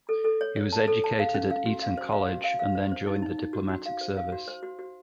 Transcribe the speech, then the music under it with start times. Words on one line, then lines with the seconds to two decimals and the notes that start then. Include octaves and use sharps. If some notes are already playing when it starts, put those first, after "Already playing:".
He was educated at Eton College and then joined the Diplomatic Service.
0.09 A4
0.24 A4
0.41 C#5
0.56 C#5
0.72 A5
0.88 A4
1.04 A5
1.19 F5
1.34 C#4
1.50 F5
1.66 F#4
1.82 F5
1.97 C5
2.12 F5
2.28 F#4
2.44 F5
2.59 F5
2.75 C5
2.92 C5
3.07 D#4
3.22 D#4
3.38 D#4
3.53 F#4
3.69 F#4
3.86 F5
4.01 C5
4.17 F5
4.32 F#4
4.48 C5
4.63 F#4
4.79 F#4